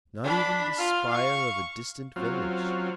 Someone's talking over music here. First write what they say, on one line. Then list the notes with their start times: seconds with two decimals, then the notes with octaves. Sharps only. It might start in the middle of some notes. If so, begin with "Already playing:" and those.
Not even the spire of a distant village.
0.24 D4 B5
0.78 F4 F6
1.09 F5 C#6
2.16 F#3 C4 C#4 F4